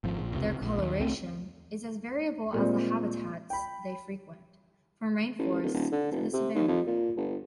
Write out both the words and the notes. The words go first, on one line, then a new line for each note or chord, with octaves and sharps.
Their colouration is as variable as the habitats they frequent; from rainforest to savannah.
G#1 F3
A#1
F1 C#2 C3
A#1
D#2
C#2 A3 C4
A#2 G3 G#3 C4
G5 B5
A1
D1
D#1
D3
F1
C3
D#2
F2
A#2
G1